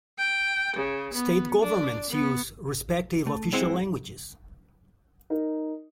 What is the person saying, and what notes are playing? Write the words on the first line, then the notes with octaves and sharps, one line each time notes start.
State governments use respective official languages.
G5
C#3
B3
D4
B3
A3
G#3 C4 E4 F#5
D#4 A#4